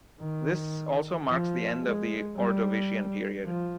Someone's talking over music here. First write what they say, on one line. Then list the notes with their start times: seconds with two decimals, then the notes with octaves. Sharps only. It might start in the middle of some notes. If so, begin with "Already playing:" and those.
This also marks the end of the Ordovician period.
0.21 D#3
1.29 F3
1.83 G#3
2.37 G3
3.46 F3